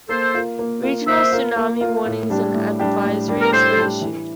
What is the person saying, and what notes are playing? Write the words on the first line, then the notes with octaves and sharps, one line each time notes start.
Regional tsunami warnings and advisories were issued.
A#3 A4 C5
F4 A#4
A#3
F4 A#4
A#3 C5 E5
F4 A#4
A#3
F4 A#4
A2
G3 D4 G4
A2
G3 D4 G4
A2
G3 D4 G4
A#4
A2 A4 C5
G3 D4 G4
E3